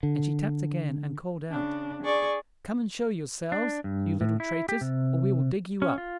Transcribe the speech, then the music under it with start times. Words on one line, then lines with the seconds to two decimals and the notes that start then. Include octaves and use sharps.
And she tapped again, and called out, "Come and show yourselves, you little traitors, or we will dig you up!"
0.03 D3
1.51 C#3 D4
2.03 G#4 D5 C#6
3.52 D4
3.84 G2
4.21 A2
4.40 E4
4.69 G4
4.81 C3
5.82 C#4
5.98 F4